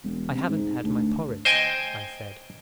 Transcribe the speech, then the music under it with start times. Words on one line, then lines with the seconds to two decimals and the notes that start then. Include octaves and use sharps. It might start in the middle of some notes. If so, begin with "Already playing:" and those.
"I haven't had my porridge," I said.
0.04 E1
0.31 C3
0.49 G#2
0.84 D2
1.45 C5 D#5 G5 G#5